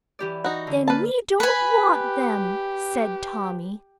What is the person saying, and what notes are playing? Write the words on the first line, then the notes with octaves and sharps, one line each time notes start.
"Then we don't want them," said Tommy.
E3 G4 D5
D#4 F#4
D3
A#3 B4 A5
B4 G#5 B5
G4